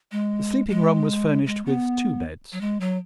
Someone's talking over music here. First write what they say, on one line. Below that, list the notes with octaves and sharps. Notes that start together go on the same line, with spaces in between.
The sleeping-room was furnished with two beds.
G#3
G#3
G#3
B3
F#3
G#3
F#3